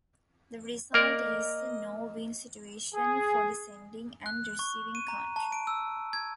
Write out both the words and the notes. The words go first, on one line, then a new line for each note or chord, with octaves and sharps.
The result is a no-win situation for the sending and receiving country.
A#3 A#4 D5 D#5
G#4
F#6
C#6
D#7
A#5
A5
D7
E6
G#6